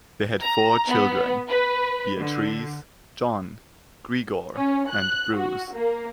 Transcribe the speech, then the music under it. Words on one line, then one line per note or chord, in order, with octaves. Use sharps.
They had four children; Beatrice, John, Gregor, and Bruce.
A#5
B3
B4
D3
C#4
F#6
F#4
A#3